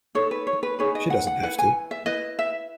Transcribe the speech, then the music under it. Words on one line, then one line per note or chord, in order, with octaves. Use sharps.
She doesn't have to.
D#4 A4 C#5
B4
C#5
B4
D#4 G#4 B4 C#5
D#5
F#5
F#5
E4 B4 F#5
G#5
E5
E4 B4 D#5
E5